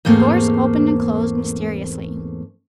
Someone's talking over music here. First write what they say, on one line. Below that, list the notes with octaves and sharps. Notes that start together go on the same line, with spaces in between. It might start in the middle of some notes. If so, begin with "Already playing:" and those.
Doors opened and closed mysteriously.
E2 G#2 A3 A#3 C4